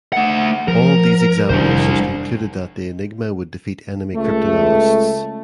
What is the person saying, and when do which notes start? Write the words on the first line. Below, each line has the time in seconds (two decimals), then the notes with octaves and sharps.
All these examinations concluded that the Enigma would defeat enemy cryptanalysts.
0.13 A3 F#5
0.68 F3 A#4
1.50 F1 D#3 G3 D4 C5
4.16 C#2 A3